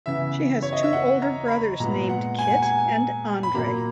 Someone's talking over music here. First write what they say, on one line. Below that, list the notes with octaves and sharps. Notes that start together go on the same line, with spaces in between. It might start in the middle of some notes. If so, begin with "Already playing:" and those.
She has two older brothers named Kit and Andre.
C#3 E3 B3 E5
C#5
D#5
E5
F#5
A#5
B5
A#5
A#2 G#3 B3 A#5
F#5
G#5
F#5
G#5
B5
A#2 F#3 A#3 A#5